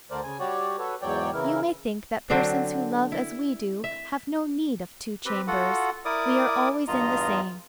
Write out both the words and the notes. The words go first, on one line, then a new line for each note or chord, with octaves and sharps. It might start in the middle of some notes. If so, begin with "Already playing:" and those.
You may think that persons who love as we do have no need of two chambers; we are always in the same.
D2 D3 A3 A#4 C5 D5
C#3 G#5
G3 F#4 G4 C#5 D5
F#4 A4 B4 C#5
E2 G#2 F#3 C#5 D5 G5
C#3 E3 E4 A#4
D3 F#3 C4 D4
E4
E5
C4 G4 B4
F4 F#4 A4 F#5
E4 A#4 D5 D6 D#6
E2 G2 F4 D#5 A#5